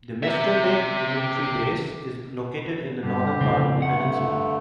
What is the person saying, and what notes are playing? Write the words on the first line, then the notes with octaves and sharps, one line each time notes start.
The Mestersvig military base is located in the northern part of the peninsula.
G4 E5
G2 D3 G4
F2 A2 C#3 C4 D4
G2 D3 A3 F#5